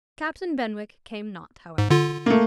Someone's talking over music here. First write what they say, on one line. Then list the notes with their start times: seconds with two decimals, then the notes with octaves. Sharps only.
Captain Benwick came not, however.
1.78 G#2
1.90 D3 F4
2.26 A3 A#3